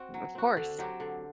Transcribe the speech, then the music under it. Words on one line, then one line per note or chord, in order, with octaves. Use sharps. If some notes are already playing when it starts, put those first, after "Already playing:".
Of course.
Already playing: C4 F#4
F#3
C4 F#4
D3
F#3 C4 G4
D3